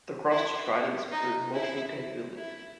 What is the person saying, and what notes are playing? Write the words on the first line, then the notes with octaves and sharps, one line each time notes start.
The crossed tridents prove multiple capabilities.
E4
D#4
E4
E4